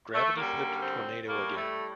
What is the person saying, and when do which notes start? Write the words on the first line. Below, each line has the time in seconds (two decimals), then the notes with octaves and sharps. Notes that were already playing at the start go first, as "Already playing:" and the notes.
Gravity flipped Tornado again.
0.14 A3
0.37 F#2 D3 G3 A#3
0.82 C4
1.27 A2 G3 A#3
1.57 A3